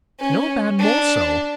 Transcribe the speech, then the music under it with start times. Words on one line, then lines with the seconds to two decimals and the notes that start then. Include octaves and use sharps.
"No man more so."
0.20 C#4
0.80 D4